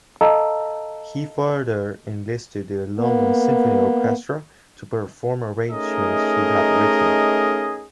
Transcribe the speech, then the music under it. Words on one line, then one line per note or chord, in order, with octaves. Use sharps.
He further enlisted the London Symphony Orchestra to perform arrangements he had written.
A4 D#5 F5 A5 A#5 E6
A#3 B3
A3 C#4 D#4 G#4 A#4 D#5